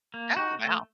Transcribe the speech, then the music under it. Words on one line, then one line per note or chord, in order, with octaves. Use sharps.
Oh! Wow.
A#3
D#4 F#4
A3